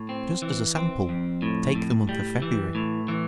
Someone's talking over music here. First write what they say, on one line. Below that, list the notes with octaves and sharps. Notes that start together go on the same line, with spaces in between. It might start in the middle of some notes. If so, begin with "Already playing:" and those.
Just as a sample, take the month of February.
Already playing: A2
C4
E3
C4
F2
A2
A2
G3
E3
A2
E3